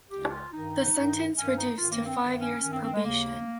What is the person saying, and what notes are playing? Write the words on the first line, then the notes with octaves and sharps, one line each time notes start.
The sentence reduced to five years probation.
C#2 C#3 G4
F4
G2 D#3 D#4
G2 D#3
G2 D#3 C#4
D#4
G2 D#3 F4
A#3
C4
G2 D#3
C#4
G2 D#3 C#4
C4
C4
G#3
D#2 C#3 A#3